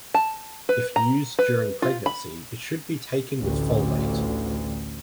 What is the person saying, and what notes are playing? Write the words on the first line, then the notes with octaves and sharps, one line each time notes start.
If used during pregnancy it should be taken with folate.
A5
B4
A#5
B4
F4
B5
A1 D2